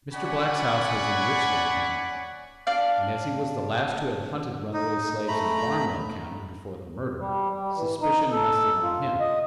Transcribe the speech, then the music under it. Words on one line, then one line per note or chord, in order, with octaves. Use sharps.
Mr. Black's house was in Richland county, and as he was the last who had hunted runaway slaves in Barnwell county before the murder, suspicion rested on him.
C#4 D5 F#5 G#5 B5 C#6
D4 D5 F5
D#4
A3 A#5 B5
G3
G3
E3
D#4
A4
F4
D#5